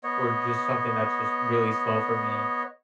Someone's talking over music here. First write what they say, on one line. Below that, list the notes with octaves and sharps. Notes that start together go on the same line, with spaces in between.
or just something that's just really slow for me.
B3 C#5 D#5